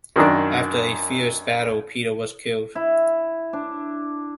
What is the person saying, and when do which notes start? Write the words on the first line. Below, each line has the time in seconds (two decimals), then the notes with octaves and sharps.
After a fierce battle, Peter was killed.
0.16 F#2 D#3 D4
2.75 E4
3.53 D4